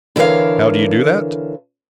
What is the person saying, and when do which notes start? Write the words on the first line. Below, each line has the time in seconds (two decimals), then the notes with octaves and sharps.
"How do you do that?"
0.16 D3 E3 A#4 C#5 F5